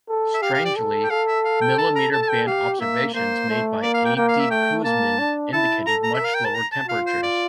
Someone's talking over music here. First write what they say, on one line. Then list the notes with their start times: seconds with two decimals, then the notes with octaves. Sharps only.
Strangely, millimetre-band observations made by A. D. Kuzmin indicated much lower temperatures.
0.09 A4
0.34 E5
0.42 G4 F5
0.54 F5
0.65 D5
0.76 A4
1.04 G5
1.10 A4 F5
1.28 E5
1.45 F5
1.61 G5
1.78 A5
1.95 A#5
2.12 A4 A5
2.22 A5
2.29 G5
2.47 G4 F5
2.80 A#3 E5
3.14 A#3 C5
3.49 A3
3.82 A#3 D5
3.94 F5
4.05 G5
4.16 A#3 G5
4.28 F5
4.39 E5
4.50 A3 G5
4.84 A#3 A5
5.19 D4
5.53 E4 A5
5.87 A4 A#5
6.03 A#5
6.14 E5
6.21 A#4 F5
6.34 G5
6.45 A5
6.54 A#5
6.72 A5
6.88 F4 F5
7.06 C5
7.23 D5